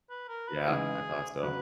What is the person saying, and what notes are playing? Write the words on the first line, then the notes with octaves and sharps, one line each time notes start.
Yeah. I thought so.
B4
A#4
B4
C#3 E3 G#3 D#4 G#4
C#3 F#3 B3 B4